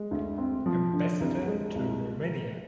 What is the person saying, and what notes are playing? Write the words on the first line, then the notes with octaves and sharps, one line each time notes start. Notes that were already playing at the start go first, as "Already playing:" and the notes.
Ambassador to Romania.
Already playing: G#3
D2
C4
F3
D3
C2
G#3
C2